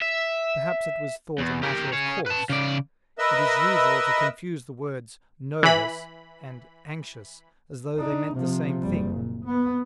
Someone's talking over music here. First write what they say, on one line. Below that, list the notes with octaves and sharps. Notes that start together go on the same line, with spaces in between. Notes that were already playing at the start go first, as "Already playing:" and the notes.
Perhaps it was thought a matter of course; it is usual to confuse the words "nervous" and "anxious" as though they meant the same thing.
E5
E2
G4 A#4
G#4 C#5
B4 A5
C#3 D5
A#4 B4 D#5 E5 E6
E3 B5
D4 D#4
C3 F3
F#1 G3
A#2
B3